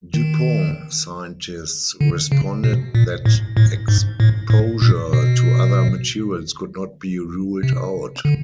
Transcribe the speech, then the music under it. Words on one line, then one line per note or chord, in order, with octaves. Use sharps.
DuPont scientists responded that exposure to other materials could not be ruled out.
D#3
D3
C#3
B2
A#2
A2
A2
G#2
A2
A2
A#2
B2
C3
D3